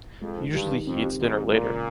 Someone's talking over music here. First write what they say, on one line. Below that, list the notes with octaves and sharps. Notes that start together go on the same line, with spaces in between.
Usually he eats dinner later.
F2 G#3
D#3
G2 G4
D#3
F2 C4
G4
G#2 D#3
G#3
A#2 G#3
C#3